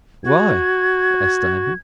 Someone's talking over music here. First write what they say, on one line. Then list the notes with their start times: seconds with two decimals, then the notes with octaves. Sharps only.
"Why?" asked Diamond.
0.25 F#4 G#6